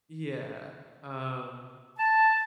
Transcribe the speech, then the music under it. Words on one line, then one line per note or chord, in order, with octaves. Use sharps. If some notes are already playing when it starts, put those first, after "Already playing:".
Yeah, um,
A5